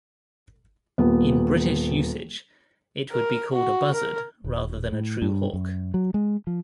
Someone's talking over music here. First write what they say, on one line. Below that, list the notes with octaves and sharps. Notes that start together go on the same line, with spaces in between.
In British usage, it would be called a buzzard rather than a true hawk.
D#1 D#2 B3
A#4
F#4
A#4
D#1
A2
G2
F#2
F#3
G#3
F3